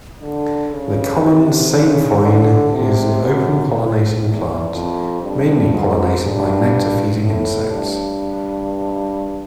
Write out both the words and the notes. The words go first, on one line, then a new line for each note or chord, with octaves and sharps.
The common sainfoin is an open pollinating plant, mainly pollinated by nectar feeding insects.
D3
C#3
C3
C#3
D3
C3
F#2
E2
F2
G2
G#2
G2
A2
G2